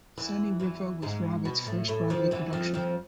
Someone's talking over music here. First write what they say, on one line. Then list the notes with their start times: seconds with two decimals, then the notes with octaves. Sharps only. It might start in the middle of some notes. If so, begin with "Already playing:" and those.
"Sunny River" was Roberts' first Broadway production.
0.17 E2 E3
0.60 E2 E3
1.02 G#2 G#3
1.45 B2 B3
1.67 A2 A3
1.88 A2 A3
2.10 F2 F3
2.31 E2 E3
2.53 F2 F3
2.74 F2 F3